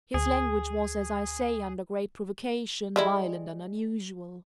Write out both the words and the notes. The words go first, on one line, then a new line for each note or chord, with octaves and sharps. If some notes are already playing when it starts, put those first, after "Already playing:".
His language was, as I say, under great provocation, violent and unusual.
D2 G#4
G3 G#3 E4